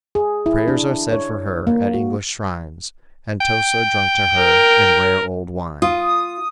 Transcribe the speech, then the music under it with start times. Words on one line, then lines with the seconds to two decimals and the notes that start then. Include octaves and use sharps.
Prayers are said for her at English shrines, and toasts are drunk to her in rare old wine.
0.15 G#4
0.46 E4
0.68 D4
1.12 C#5
1.67 A#3
1.94 F#4
3.41 G5
4.38 A#4
5.82 F4 D#6